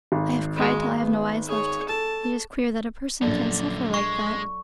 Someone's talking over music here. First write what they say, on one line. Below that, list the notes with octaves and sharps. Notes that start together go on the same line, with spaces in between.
I have cried till I have no eyes left. It is queer that a person can suffer like that.
G#1
G#3 F#4
B3
G#4 C#5
A4 A5
A#1 F#2 D3 F#3 D4 A4 D5
G#3 C#6